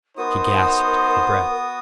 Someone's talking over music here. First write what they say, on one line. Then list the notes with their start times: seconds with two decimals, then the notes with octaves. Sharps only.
She gasped for breath.
0.18 B3 D#4 F#4 A#4 C5 D#6